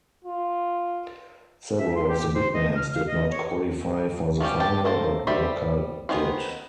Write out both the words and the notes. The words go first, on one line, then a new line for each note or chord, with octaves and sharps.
Several of the big names did not qualify for the final, but Walker did.
F4
E5
C6
G4
C5
D#5
F6
F5
D#5
C#5
F3 G3 C#4 G4
G4 G5 A5
A3 A#3 A4 C5
G3 C5 D5 E5 B5
D#3 B3 C#4 C5